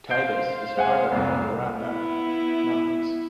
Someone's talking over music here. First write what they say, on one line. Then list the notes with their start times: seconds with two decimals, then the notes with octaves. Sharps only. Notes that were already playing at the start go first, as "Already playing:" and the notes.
Titus is part of the Adirondack Mountains.
0.10 C5 F5 G6 C7 D7
0.77 G#3 F#5 G#5
1.12 F1 C2
1.81 B3 E4